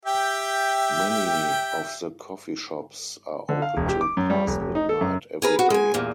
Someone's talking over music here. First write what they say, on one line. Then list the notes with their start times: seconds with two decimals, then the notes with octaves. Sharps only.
Many of the coffeeshops are open till past midnight every day.
0.05 G4 E5 G5
3.49 D3
3.62 F5
3.77 E1
3.89 G4
4.01 D6
4.17 F#2
4.30 G3
4.47 F1
4.61 F1
4.75 D#4
4.89 A4
5.01 F#2
5.42 G#4 A#4 B4
5.59 F#4
5.70 G#3 G#5
5.94 E2 G2 A#2